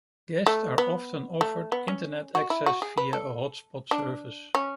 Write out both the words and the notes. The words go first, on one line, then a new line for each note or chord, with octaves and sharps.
Guests are often offered Internet access via a hotspot service.
A3
B3
A3
B3
C#4
F#4
E4
F#4
G#4
B4
A4
D4
C#4